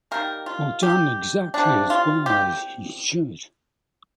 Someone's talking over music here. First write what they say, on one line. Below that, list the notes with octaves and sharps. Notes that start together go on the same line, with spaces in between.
Or done exactly as well as he should.
D#3 G3 A#3 A#4
F4
G4
C3 G3 A#3 D4
F4
G4